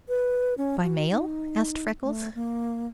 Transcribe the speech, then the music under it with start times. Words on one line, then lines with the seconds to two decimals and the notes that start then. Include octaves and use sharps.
"By mail?" asked Freckles.
0.09 B4
0.58 C#4
0.83 F#4
1.11 D#4
2.04 A3
2.35 A#3